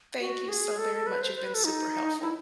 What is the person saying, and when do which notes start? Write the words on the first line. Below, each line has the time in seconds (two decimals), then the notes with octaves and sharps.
thank you so very much, you've been super helpful.
0.20 F#4
0.49 G#4
0.78 A4
1.07 B4
1.21 C5
1.35 C5
1.45 B4
1.54 A4
1.65 D#4
2.22 E4